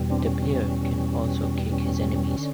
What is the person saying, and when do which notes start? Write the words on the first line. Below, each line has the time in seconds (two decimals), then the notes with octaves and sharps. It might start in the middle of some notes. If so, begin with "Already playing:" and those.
The player can also kick his enemies.
Already playing: E2 B2 G3
0.10 C4 D4
0.26 C#4
0.42 C#4
1.72 C#4
2.38 D3